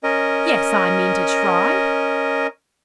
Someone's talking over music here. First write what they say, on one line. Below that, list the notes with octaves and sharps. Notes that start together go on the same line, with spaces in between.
"Yes; I mean to try."
C#4 A#4 D#5